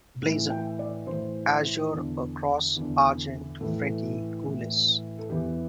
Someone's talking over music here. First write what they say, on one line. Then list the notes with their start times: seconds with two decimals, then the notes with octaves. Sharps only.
Blazon: Azure a cross Argent fretty Gules.
0.22 A2 E3
0.50 G5
0.79 D5
1.07 A2 E3 C5
1.92 E2 D3
2.76 E2 D3
3.61 A2 E3 A4
4.46 A2 E3
5.19 A4
5.29 E2 E3 G4